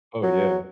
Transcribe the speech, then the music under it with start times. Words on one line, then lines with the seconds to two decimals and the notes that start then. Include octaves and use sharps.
Oh, yeah.
0.23 F#3